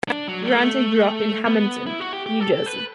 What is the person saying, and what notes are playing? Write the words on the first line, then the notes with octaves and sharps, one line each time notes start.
Durante grew up in Hammonton, New Jersey.
D4
F#3
G3
A3
B3
E4
F#4
G4
G4
A4
A4
B4